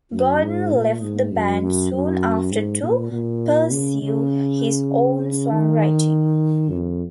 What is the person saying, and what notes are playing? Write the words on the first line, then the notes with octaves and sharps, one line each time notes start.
Gordon left the band soon after to pursue his own song writing.
F#2
G#2
A#2
G#2
F#2
F#2
F#2
G#2
A#2
A#2
C#3
C#3
D#3
F2